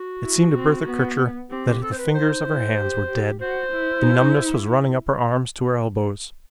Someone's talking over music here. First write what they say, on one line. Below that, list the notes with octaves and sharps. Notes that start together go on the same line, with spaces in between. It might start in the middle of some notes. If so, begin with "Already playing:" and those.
It seemed to Bertha Kircher that the fingers of her hands were dead. The numbness was running up her arms to her elbows.
Already playing: F#4
E4
C4
B3
C4 G4
G4
C4 A4
C5
B4
D#4 C5
E4
G4
G4
F#4 C5
E4